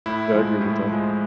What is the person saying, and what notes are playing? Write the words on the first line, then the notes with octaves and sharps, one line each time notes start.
Yeah, I agree with that.
A2 E4
F3 G#3
A2
F3 G#3